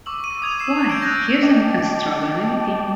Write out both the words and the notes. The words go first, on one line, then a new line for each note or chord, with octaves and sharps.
Why, here's an extraordinary thing!
C#6 D6 E6 F#7
D#7
D#6 G#6 F7
E6 C7 E7
G6 G#6 D7
D#6 E6 F#6 G6 A6 A#6
D#5 G5 A5 D6